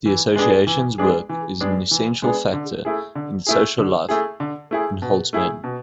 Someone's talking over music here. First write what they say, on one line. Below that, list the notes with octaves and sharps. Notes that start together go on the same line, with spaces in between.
The association's work is an essential factor in the social life in Holzmaden.
E3
G#3 B3 D4 G#4
E3
G#3 B3 D4 G#4
E3
G#3 B3 D4 G#4
E3
G#3 B3 D4 G#4
D3
A3 E4 G#4
D3
A3 E4 G#4
D3
A3 E4 G#4
D3
A3 E4 G#4
B2
A3 E4 G#4
B2